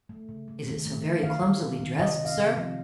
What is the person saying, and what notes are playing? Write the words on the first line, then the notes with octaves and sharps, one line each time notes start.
"Is it so very clumsily dressed, sir?"
A3
C#3
A3
D#3
A3
D#3
D#3 F5
D#3
D#3
D#3
C3 D#5
C3
F5
C3
F3